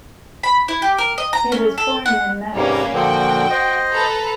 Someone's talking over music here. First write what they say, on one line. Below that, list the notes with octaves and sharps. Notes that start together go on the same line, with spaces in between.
He was born in Metz.
B5
E4
G4
A#4
D#5
A#5
C#4
A4
F#5
G#2 C3 G3 A#3 C#4 B4
A#2 D3 F3 F#4 G5
C5 D#5
A4 B4 A#5